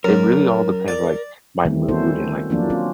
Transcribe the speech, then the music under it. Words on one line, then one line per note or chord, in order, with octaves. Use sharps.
it really all depends, like, my mood and, like w
F#2 A#4
D5
D#3 G3 A3 C4
B3 C#4 E4 F#4 A4 C5
F#3 A#3 D4 F4
C4 C#4 F4